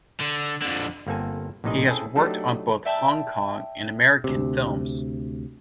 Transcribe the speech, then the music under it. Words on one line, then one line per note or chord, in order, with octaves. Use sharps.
He has worked on both Hong Kong and American films.
D3
F2 D3
G1 A#3 C4 A4 G#5
A#1 A2 C3 D#4 G#4 D#5
C4 C#4 E4 G#4 A4
F#3 A3 D4 D#4 G4 A4
D5 E5 G5 A5
D2 C3